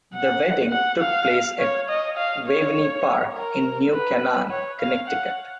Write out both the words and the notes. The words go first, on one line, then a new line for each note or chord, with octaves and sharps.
The wedding took place at Waveny Park in New Canaan, Connecticut.
F#5
F#5
F5
C#5
D#5
F5
C#5
A#4
B4
C#5
F5
F#5